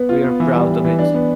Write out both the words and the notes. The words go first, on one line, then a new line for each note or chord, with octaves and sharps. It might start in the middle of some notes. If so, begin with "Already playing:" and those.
We're proud of it.
Already playing: B3 B4
F4
B3
E3
G3
E3
E3
D4
B3